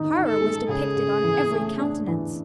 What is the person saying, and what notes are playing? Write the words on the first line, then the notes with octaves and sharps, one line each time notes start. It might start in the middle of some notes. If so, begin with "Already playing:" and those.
Horror was depicted on every countenance.
Already playing: D#3 D#4
D#4
A4
G#3
C#3 G#4
C#3
E3
A3
D4
E3